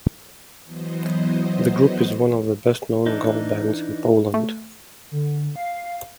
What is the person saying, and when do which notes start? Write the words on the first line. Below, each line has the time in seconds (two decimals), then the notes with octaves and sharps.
The group is one of the best known girl bands in Poland.
0.65 E3 F#3 B3 C5 D#5
3.06 E3 D4 D#4
4.34 A3
5.11 D3
5.56 F5